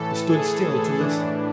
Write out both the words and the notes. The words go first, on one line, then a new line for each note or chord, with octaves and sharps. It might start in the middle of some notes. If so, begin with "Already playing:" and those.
He stood still to listen.
Already playing: A2 E3 A4
G#4
A2 E3 D4